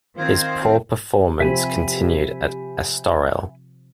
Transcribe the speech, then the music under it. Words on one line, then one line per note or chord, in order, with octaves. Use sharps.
His poor performance continued at Estoril.
D#3 C4 F4 C5 D#6 G#6
C3 F3 C4 G4 E5 G#5 B5